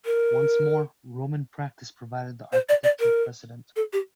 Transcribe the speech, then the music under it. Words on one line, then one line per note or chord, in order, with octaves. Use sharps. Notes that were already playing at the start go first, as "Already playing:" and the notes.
Once more, Roman practice provided the architectural precedent.
A#4
C5
D5
D5
A#4
A4
G4